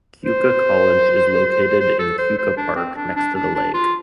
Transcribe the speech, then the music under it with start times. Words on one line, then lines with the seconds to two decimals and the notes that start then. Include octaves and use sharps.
Keuka College is located in Keuka Park next to the lake.
0.25 C5
1.80 C5
1.99 A4
2.18 C5
2.38 C5
2.57 D4
2.76 C4
2.96 D4
3.16 D4
3.35 D4
3.55 D4
3.74 F4